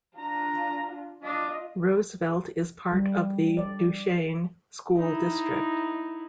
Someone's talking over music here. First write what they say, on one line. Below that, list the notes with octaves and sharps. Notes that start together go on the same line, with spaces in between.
Roosevelt is part of the Duchesne School District.
D4 F4 A#5
D4 F4 D#5
G3
D5
D#4 E4